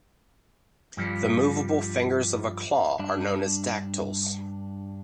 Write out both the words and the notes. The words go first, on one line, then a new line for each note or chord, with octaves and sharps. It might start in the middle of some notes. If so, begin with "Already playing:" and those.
The moveable fingers of a claw are known as dactyls.
G2 F3 G3
G2 D4